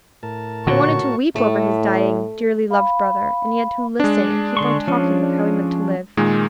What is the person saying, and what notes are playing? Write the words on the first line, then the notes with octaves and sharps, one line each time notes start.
He wanted to weep over his dying, dearly loved brother, and he had to listen and keep on talking of how he meant to live.
A2 A#4 A5
A#2 D3 F#4 C#5 C#6
A2 A3
F5 B5
G#3 D4
D3 C6 C#6
F3 C#4
A#2 D#3 G#3